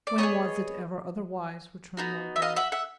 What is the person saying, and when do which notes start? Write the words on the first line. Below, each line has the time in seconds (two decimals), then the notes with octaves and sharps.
"When was it ever otherwise?" returned Magua.
0.07 D5
0.18 B3 D#4 C#5 D#5
0.23 G#4
1.97 B3 D#4 F#4
2.36 E5
2.42 D#5 F5
2.56 E5 F#5
2.72 E5 F#5